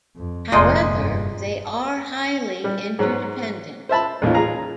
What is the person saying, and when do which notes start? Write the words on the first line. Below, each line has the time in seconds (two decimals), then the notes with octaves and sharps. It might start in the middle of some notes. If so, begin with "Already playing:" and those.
However, they are highly interdependent.
0.17 F2
0.52 F1 F2 A#2 G#3 D#5
0.90 G2
2.64 G3
2.99 G#2 F#3
3.89 C5 E5 A5 B5
4.22 A1 D#2 D#3 F4
4.34 F4 G#4 A#5